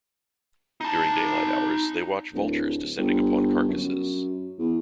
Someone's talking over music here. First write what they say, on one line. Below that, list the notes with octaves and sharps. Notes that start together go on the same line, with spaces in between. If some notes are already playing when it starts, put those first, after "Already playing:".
During daylight hours, they watch vultures descending upon carcasses.
D#4 A5
D1
G1
F#2
E2